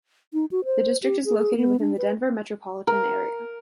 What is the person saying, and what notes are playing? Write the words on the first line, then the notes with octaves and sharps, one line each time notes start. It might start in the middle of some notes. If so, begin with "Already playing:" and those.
The district is located within the Denver metropolitan area.
D#4
F#4
C5
G4
G#4
B3
D4
B4
A#4